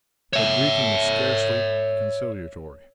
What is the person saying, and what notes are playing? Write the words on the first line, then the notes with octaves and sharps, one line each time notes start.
Her greeting was scarcely conciliatory.
C#5 E5